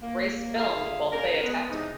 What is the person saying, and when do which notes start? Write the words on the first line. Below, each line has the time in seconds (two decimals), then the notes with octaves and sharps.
Grace filmed while Faye attacked him.
0.03 A#3
0.56 D3 F4 G#4 E5 F5
1.12 C#3 A#4
1.42 G#3 B3
1.69 E2 C3 G#3 D#4